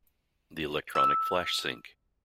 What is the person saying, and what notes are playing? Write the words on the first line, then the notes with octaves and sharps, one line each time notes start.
The electronic flash sync.
E6